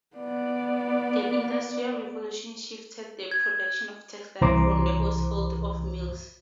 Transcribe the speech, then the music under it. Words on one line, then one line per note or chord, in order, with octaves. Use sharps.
The Industrial Revolution shifted the production of textiles from the household to the mills.
B3 D5
G#6
C2 E3 C5 A#5 C6 D6